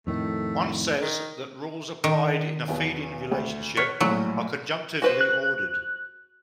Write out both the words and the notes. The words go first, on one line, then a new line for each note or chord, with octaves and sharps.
One says that rules applied in a feeding relationship are "conjunctively ordered".
F2 A2 D#3 A3
D#3
D#3
B1 E2 B2
D2
C#5 F6 F#6 B6
A#1 A2 F#3
F#4 B4 C5
F#6